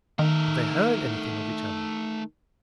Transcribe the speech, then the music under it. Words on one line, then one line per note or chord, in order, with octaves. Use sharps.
Had they heard anything of each other?
D#3 A3 A#4